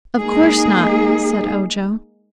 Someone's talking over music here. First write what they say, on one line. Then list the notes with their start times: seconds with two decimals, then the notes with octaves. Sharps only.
"Of course not," said Ojo.
0.17 G#3 A#3 D#4 G#4